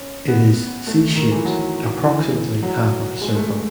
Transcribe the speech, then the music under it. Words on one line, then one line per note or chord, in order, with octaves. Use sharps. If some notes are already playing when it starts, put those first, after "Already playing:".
It is "C"-shaped, approximately half of a circle.
Already playing: C#4
B3
A3
D#3
E3
F#3
E3
F#3
G#3
A3
G#3